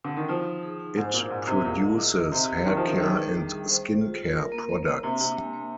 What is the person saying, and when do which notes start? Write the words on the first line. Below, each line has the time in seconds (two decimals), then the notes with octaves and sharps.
It produces hair care and skin care products.
0.04 D3
0.17 D#3
0.29 F3 D#4
0.45 D#4
0.63 G#4
0.80 D#4
0.96 G#2 C5
1.14 A#2 D4
1.30 G#2 D4
1.47 C3 D4
1.65 A#2 G#4
1.82 D#5
1.98 D#4
2.15 D#5
2.32 C3 G4
2.49 F5
2.66 D#3 G4
2.77 F3
2.83 G4
2.88 D#3
3.00 D#3 G#4
3.17 D4
3.34 G3
3.50 G#4
3.68 C5
3.84 C5
4.01 F4
4.18 F4
4.35 A#4
4.52 A#3
4.69 A#3
4.86 A#3
5.03 C3 D4
5.20 C3 D4
5.37 G#3
5.53 G#3